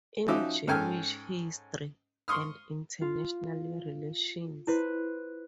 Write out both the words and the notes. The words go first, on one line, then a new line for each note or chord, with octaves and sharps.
In Jewish History and International Relations.
F3 C#4 D#4 F#4 E5 D6
G#2 C#4 A4 G5 G#5 F6
C6 C#6 D#6 F6
F4
E4 B4 C5